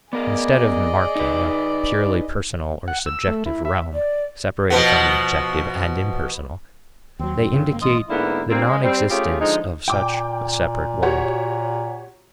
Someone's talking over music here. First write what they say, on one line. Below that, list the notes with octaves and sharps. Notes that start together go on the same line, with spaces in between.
Instead of marking a purely personal or subjective realm, separated from the objective and impersonal, they indicate the non-existence of such a separate world.
B3 G#4 A#4 D5 D#5
D#4 B4
F#5
E6
A3
E4
E5
D5
B2 F3 B3
D#2 F#3 C4
G2
G1 C#3 E3
G1 D3 A#3
A1 F4 D#5 D#6
G#2 D3 A#3 B3 E4
G2 A#2 A#3 C4
G#3
G3 C4
A3 C#4 F4 G4 G#4
D3 F3 G#3 D#4
A#2 G5 D6
F#4 G4 C#5